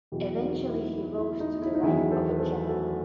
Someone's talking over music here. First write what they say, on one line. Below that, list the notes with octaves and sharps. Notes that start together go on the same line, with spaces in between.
Eventually he rose to the rank of general.
E2 B2 F#3 E4 G4
D#4 F#4
E4
E4
E4
D#4
E4
D#4
E2 D#3 F#3 E4
A4 C5
B4
A4 C5
F#4 A4
A4